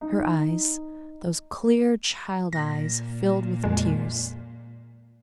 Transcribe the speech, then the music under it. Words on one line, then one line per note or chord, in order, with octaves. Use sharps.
Her eyes, those clear child-eyes, filled with tears.
D#4
A#2 A#6
F2 G#3